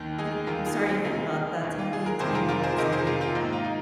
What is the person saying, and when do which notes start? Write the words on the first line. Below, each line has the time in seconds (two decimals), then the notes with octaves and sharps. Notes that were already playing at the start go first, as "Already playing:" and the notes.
No, I'm sorry to hear about that, tell me tell me more about the situation.
Already playing: D#2 D#3
0.18 D#4 G#4
0.46 D#2 D#3 F4 A#4
0.66 D#4 G#4
0.79 D#4
0.85 C4 F4
1.04 D#2 D#3 D#4 G#4
1.63 D#2 D#3
1.78 F4
1.93 G#4
2.06 A#4
2.20 F2 C3 D#3 G#4 C5
2.34 F4 A#4
2.48 F4 A#4
2.63 G#4 C5
2.78 F2 C3 D#3 A#4 D#5
2.92 G#4 C5
3.06 F4 A#4
3.21 C4 F4
3.35 G#2 D#3 A#3 D#4
3.52 F4
3.64 A#3 D#4